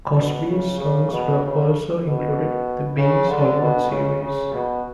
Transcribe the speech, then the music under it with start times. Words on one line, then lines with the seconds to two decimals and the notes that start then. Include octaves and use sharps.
Crosby's songs were also included in the "Bing's Hollywood" series.
0.19 B2
0.50 C#3
0.81 C#3
1.12 B2
1.43 C#3
2.05 B2
2.98 C#3
3.29 D3
3.60 B2
3.92 C#3
4.23 C#3
4.54 B2